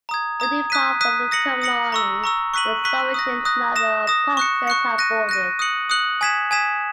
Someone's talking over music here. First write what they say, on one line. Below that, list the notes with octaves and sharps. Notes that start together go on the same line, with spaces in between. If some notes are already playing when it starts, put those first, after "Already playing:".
They depart from the terminal only when a sufficient number of passengers have boarded.
A#5 D#6 G#6
A#5 D#6 G#6
D#6 F#6 B6 D#7
D#6 F#6 B6 D#7
D#6 A#6 C#7 F#7
D#6 A#6 C#7 F#7
A#5 C#6 E6
A#5 C#6 E6
C#6 F#6 B6 D#7 F#7
C#6 F#6 B6 D#7 F#7
D#6 F#6 A#6
D#6 F#6 A#6
D#6 A#6 E7
D#6 A#6 E7
C#6 F#6 C#7
C#6 F#6 C#7
F#6 A#6 D#7
F#6 A#6 D#7
D#6 F#6 C#7 F#7
D#6 F#6 C#7 F#7
G#5 D#6 G#6 B6 E7
G#5 D#6 G#6 B6 E7